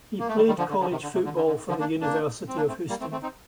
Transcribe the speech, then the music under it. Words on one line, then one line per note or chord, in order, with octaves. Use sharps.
He played college football for the University of Houston.
A#3
A3
D#3 G3
D#3 G3
D3 F3
D3
D3 F3
C3 D#3
D3
C3
D3
D3
D3
D3 F3
A#3 D4
A#3 D4
C4
A#3 D4
A3 C4
G3 A#3
A3 C4
A3 C4
C4 D#4